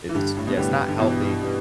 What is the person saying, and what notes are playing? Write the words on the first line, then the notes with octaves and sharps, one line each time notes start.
It's Yeah, it's not healthy.
E3
G2 D3 G3
A2
B2
A2 D3 G3 B3 G4
D3
G2 B2 E3
G3 B3 G4